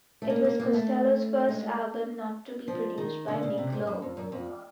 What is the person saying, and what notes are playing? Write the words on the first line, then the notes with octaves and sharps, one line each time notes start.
It was Costello's first album not to be produced by Nick Lowe.
A3
A#3
A#3
A#3
A3
G#3
F3
D#3
D3
C#3
C3
G#2
F#2
F2
F#2
F2